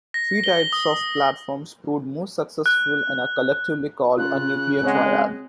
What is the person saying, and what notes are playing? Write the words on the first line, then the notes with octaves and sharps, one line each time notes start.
Three types of platforms proved most successful and are collectively called a "nuclear triad".
A#6
G7
D#6
F#6
C#3 F4 F#6
G#3 C4 C#5 F#5